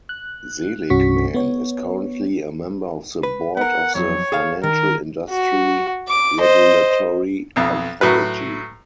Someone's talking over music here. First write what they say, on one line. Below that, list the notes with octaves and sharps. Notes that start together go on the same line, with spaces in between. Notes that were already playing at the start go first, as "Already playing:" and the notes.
Seligman is currently a member of the board of the Financial Industry Regulatory Authority.
F#6
C2 G2 C#4 F#4 C#6 B6
B3 C#5
B4
B3 A#4 F#5
F2 F#3 C#5
G#4 A4 F5
D#3 A#4
F#4
D6
C5 D#5
B1 F2
A2 F#3 B4